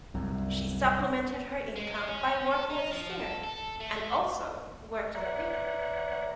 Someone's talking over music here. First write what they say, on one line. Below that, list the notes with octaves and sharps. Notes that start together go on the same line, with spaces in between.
She supplemented her income by working as a singer, and also worked in theatre.
C2 F#2
G#3
C#4
A4
D#4
F3
A4
A4
A3
B4 C#5 D5 E5 F#5 A#5